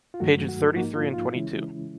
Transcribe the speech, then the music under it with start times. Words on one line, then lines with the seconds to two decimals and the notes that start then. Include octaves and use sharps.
Pages thirty-three and twenty-two.
0.14 F4
0.20 G2 D#3 F#3 A3 F#4
0.48 F#4
0.76 G#2 F3 A#3 D#4 F#4
0.96 F4
1.14 F4
1.33 C#3 E3 G#3 C#4 E4